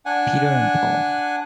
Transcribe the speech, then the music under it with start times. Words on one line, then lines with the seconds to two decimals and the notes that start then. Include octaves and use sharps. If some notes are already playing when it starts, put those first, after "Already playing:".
Peter and Paul.
0.06 D4 F#5 G#5